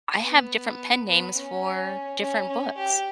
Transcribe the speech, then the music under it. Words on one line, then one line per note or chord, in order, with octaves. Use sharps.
I have different pen names for different books.
B3
B3
C#4
C#4
C#4
G4